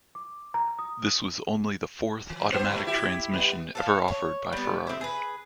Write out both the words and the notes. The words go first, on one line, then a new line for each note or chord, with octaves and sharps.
This was only the fourth automatic transmission ever offered by Ferrari.
D6
A#5
D#6
E3
G2 B3 C5
G#2 G3 A3
E4 G4
G3 B3
A4 B4 F5
C#5
G3 B3
C4 E4
G#4 B4